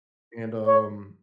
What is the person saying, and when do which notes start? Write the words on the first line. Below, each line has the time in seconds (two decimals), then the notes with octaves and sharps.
and, um,
0.67 C#5